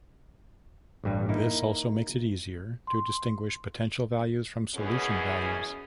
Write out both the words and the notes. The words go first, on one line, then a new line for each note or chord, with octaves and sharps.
This also makes it easier to distinguish potential values from solution values.
A1 G2 G3
A#3 D#4 E4
C6
F#2 B2 E3 C#4 G#4